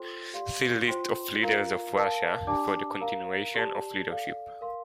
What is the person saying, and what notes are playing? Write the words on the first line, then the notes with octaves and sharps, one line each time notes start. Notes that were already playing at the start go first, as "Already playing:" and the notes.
See List of leaders of Russia for the continuation of leadership.
Already playing: F4 A4 C5 G5 C6
G4 D5 F5 C6
F4 C5 G5 C6
F4 A#4 F5 A#5
A#4 F5 A5
D4 G4 D5 A5 D6
A#4 F5 A#5
G4 D5 A5
A4 D5 F5
A#4 F5 C6